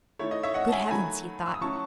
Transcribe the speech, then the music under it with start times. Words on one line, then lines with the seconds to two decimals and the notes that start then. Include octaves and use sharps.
"Good heavens!" he thought.
0.19 D#3 A3 E4 C#5
0.31 D#5
0.43 C#5 E5
0.54 D#5 F#5
0.68 A5
0.73 E5 G#5
0.90 D#3 F#3 A3 G#5 B5
1.46 E6
1.54 D#6
1.61 F#3 C#4 E4 A5 C#6